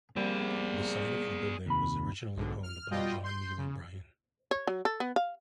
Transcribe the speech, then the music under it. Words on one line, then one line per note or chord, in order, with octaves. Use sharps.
The site of the building was originally owned by John Neely Bryan.
G3 A#3 C4 G#4 D5
D#2 C3 B5
B1 G#2 D3
F6
B2 G3 F4 D#5 G5
C6 G6
C#3
C#5
F#3
A4
B3
F5